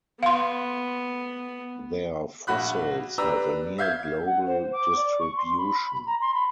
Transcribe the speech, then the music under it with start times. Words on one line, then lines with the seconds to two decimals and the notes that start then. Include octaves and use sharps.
Their fossils have a near global distribution.
0.23 B3 F5 C6
2.47 A#1 F#4 B5 F#6
3.18 D4 G4 B4 A#5 E6
3.78 E5 F5 G6 G#6
4.26 F#5
4.46 C5
4.72 D6
4.96 D5
5.19 C#6
5.36 C6
5.57 B5
5.81 B5
6.06 A#5
6.21 C6
6.34 B5